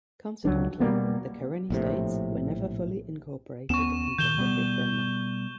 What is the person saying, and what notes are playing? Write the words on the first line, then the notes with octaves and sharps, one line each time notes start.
Consequently, the Karenni States were never fully incorporated into British Burma.
C#2 F#3 D4
B2 G3 A#3 B3
A#1 A2 C3
D#2 B3 C#4 C#6 E7
A#2 D#3 G6 E7 G7
B2 G3 B3